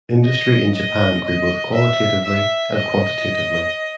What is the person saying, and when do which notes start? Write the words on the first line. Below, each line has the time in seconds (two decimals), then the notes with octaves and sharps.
Industry in Japan grew both qualitatively and quantitatively.
0.25 D#5
0.74 D#5
1.25 D#5
1.74 E5
2.24 E5
2.74 D#5